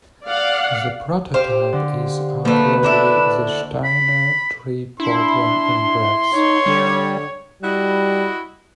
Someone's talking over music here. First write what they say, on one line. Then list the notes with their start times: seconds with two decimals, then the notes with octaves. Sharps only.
The prototype is, arguably, the Steiner tree problem in graphs.
0.24 D5 F5 F#5
1.34 G4 C5 F5
1.73 D3 D5
2.45 D2 F3 A3 A#3 B4
2.83 D3 D4 E4
3.84 B5
5.00 D4 E4 C6
6.34 D#4 C#5
6.66 D3 G3
7.63 G3 E4 F#4 D#5